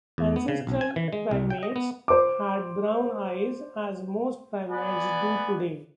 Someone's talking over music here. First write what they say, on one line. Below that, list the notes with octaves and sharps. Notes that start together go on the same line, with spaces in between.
Ancestral primates had brown eyes, as most primates do today.
E2
B3
C#3
B1
G#5
E3
G#3
C2
G5
D#5
B3
C5 D6
B3 D5 G#5